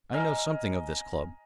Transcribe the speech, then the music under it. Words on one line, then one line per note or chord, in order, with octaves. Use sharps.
I know something of this club.
D#5 G#5 A#5 F6